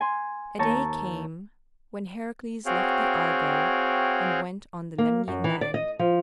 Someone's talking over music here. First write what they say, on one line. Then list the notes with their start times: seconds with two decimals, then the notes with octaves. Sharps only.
A day came when Heracles left the Argo and went on the Lemnian land.
0.01 G#5 C6
0.59 D#2 C#5 A5 A#5 C#6
2.66 C4 F#4 G#4 C#5 F5 G5
4.98 A#3
5.28 F#2
5.44 E3
5.61 D5
5.74 D#5
5.99 F3